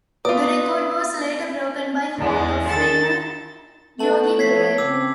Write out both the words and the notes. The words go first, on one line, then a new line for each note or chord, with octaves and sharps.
The record was later broken by Hall of Famer Yogi Berra.
B3 F4 B4 D5 D#6
E2 G#3
D#3 A4 A6
A3 B3 A5 F#7
F3 E4 C#5 G#6 B6 C7
C#3 C4 D6 E6